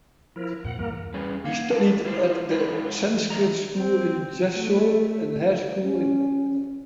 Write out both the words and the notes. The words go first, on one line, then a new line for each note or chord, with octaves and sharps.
He studied at the Sanskrit school in Jessore and Hare School in Calcutta.
F3 E4 A#4
F2 A#2 F#5
E2 G2 E3 A#3 A#4
G3 C#4 G#4 B4
A#3 F5 F#5
E2 A3 A5
E4 F4 G4 C5
E3 G#3 F4 F#4 B4 D5
D3 E3 C4 D#5 E5 A#5
C4
A3
C#4